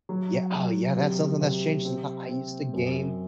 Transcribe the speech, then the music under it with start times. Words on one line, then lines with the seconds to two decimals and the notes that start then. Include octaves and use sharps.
yea oh yeah, that's something that's changed a lot. I used to game
0.09 F#3
0.54 F#3
0.97 C3
1.41 C3
1.85 C4
2.29 C4
2.73 F#2